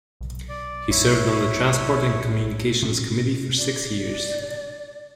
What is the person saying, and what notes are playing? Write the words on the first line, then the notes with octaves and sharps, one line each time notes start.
He served on the transport and communications committee for six years.
B1
D5
B1 E4 C#5
C3 C#4
D5